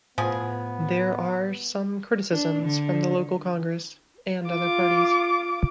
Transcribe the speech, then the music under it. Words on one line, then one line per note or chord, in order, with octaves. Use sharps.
There are some criticisms from the local congress and other parties.
A2 F3 B3 G#4
D4
D3
F4 D6